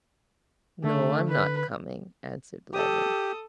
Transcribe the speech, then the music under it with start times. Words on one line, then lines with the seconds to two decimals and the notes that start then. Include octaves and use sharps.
"No, I'm not coming," answered Levin.
0.84 D3 A3
1.28 B4
2.74 G4 A4 D#6